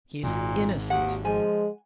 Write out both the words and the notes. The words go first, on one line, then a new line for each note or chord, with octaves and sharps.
"He is innocent."
D#1 G#1 A#2
D#2 F#5
F3 G#3 G#5